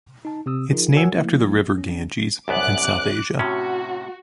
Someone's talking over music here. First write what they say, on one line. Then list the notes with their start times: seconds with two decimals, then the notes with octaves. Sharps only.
It is named after the River Ganges in South Asia.
0.25 D#4 A5
0.46 C3 C4 D#6 E6
0.73 F3 D#4 F4 G#4 A#4
0.94 F#4 A#4 C#5 F#5 G#5 E6
1.13 F3 A3 A#3 E4
1.78 C#4
2.48 C2 F#2 B3 D6 F#6
3.39 A2 C3 C#4 F#4